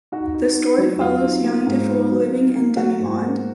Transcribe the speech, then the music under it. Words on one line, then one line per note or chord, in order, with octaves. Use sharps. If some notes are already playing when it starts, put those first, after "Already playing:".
The story follows young DiFool living in demimonde.
D#4 F#4
D#4
D#4
F#3
F#3 F4
D#4
A#3
G#2
D#4
F#3
D#4
A#3
F#3 F#4
G#2
A#3